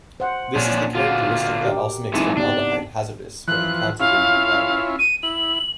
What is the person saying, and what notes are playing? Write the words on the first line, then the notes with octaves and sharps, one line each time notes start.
This is the characteristic that also makes formaldehyde hazardous when encountered in the environment.
C5 F#5
A#2 F3 C#4 D4
D3 F4 F#4
G4 A#4
E3 G#3 C4 D#4 E4 A4
C#3 B3 D4 G4
E3 F3 F#6
C#4 E4 F4 F5
D#7
E4 F#7